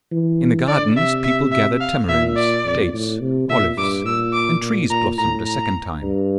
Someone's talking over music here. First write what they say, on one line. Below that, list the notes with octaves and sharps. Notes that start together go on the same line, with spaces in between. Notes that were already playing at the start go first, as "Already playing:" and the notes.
In the gardens people gathered tamarinds, dates, olives; and trees blossomed a second time.
E3
D3 D5
C3 E5
E5
E5
F5
A#2 E5
D5
F2
A2
C3
A#2 E5
G2 D6
A#2 E6
D6
A#2
A#2 A#5
A2 A#5
A#5
G2